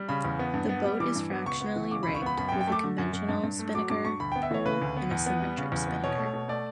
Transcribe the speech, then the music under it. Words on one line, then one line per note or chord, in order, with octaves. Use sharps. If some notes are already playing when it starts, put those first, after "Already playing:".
The boat is fractionally rigged, with a conventional spinnaker pole and symmetric spinnaker.
Already playing: G3
C#3 B5
E2
B3
G2
B3
G3
E3 D6
G2
B3
C#2 C#6
B3
E3
C#3 D6
C#2 B5
C#6
B3 B5
F#2 B5
G5
F#2
G5
A3 D6
D3
F#2
F#2
G2
G2
A3
F#3 D6
G2 D6
G2 C#6
D2 B5
B3 G5
E5
E3 C#5
C#3 B4
D2
B3
E2
B3
G3
C#3
E2
B3
B2 C#5
A3
B2
A3 D5